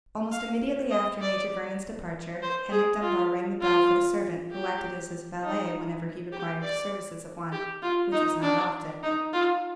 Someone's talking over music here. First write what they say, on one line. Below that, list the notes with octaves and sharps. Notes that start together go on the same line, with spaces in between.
Almost immediately after Major Vernon's departure, Henry Dunbar rang the bell for the servant who acted as his valet whenever he required the services of one, which was not often.
F5
D#5
D5
C5
G#4
F4
F4
G4
D#4
G4
D5
G4
F4
D#4
D4
D#4
F4